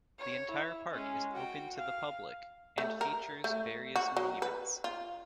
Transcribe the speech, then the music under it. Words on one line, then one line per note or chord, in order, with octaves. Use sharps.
The entire park is open to the public, and features various monuments.
C#5
E4
G#3 C#4
F#4 G5
F5
A3
A#4
A3
F#4
F#3
B4
F4